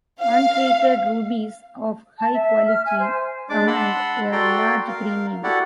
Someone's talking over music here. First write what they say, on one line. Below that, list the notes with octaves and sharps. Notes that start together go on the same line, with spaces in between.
Untreated rubies of high quality command a large premium.
F5
A5
E5
F6
G#5
C5
G#3 D4 D5 D6
F#5 A5 B5 C6 E6
F#4 A4 D5 G5 A#5 C6
A#4 F5
E4 F#4 G4 A4 D5 F#5